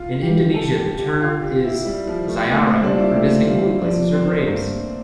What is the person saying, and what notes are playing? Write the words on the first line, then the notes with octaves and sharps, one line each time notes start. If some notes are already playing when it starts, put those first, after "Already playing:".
In Indonesia the term is "ziarah" for visiting holy places or graves.
Already playing: F4
E3 G4
A4
G4
G4
F4
G4
E4
G3
F3
A3
A3 A#3
C4
G3 D4
F4
E4
A3 G4
G3 F4
F3 D4
C4
A3
G2 A#3